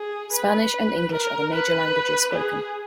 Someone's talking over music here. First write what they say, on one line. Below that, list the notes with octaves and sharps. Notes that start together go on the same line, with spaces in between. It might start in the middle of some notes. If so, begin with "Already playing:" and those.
Spanish and English are the major languages spoken.
Already playing: G#4
B4
A#4
B4
G#4